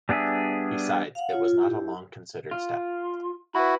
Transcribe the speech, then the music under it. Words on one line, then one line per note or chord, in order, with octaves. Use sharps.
Besides, it was not a long-considered step.
G3 B3 D4 G#4 E5
F5 F#5
F4 C#5
F4
E4 G4
F4
E4 F#4 B4 B5